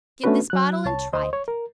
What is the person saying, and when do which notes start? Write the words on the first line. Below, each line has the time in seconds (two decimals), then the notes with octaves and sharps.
Get this bottle and try it.
0.24 A3 B3 C#4 D4 F#4 B4
0.50 F#3 F#6
0.85 C2 C#5 A5
1.13 D2 C5 D#5
1.33 C#5
1.48 A#4